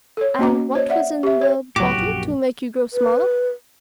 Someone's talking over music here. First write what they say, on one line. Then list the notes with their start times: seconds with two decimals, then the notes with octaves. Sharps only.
"And what was in the bottle to make you grow smaller?"
0.17 A4 C#5
0.39 A#3 C#4 F#4 D#5 A#5 D6
0.75 C5 C#5 D#5
0.89 D5 E5 F#5
1.23 G4 E5
1.41 C#5
1.76 C#2 A2 F#3 F#4 G4 D6
1.98 A#1 F#2
2.93 B4